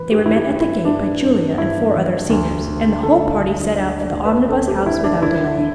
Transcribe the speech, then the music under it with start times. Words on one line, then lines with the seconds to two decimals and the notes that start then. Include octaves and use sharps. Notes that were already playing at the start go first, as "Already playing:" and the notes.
They were met at the gate by Julia and four other seniors, and the whole party set out for the Omnibus House without delay.
Already playing: E3 B4
0.11 G2 G4
0.26 E4
0.36 G4
0.48 G2
0.61 E4
0.85 G2 D4
1.21 G2
1.58 G2 E4
1.94 E3
2.30 D2
2.67 D3
3.03 D2 A4
3.40 D3
3.76 D2 D5
4.01 D5
4.12 D2
4.25 B4
4.49 D2 A4
4.68 G4
4.85 D3 E4
5.04 D4
5.22 D3 E4
5.58 D3